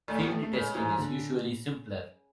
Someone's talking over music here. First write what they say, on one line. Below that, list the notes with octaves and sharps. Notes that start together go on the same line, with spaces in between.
Field testing is usually simpler.
A2 A3
B3
A3
A3
C#3 G#3
G#2 E3
D3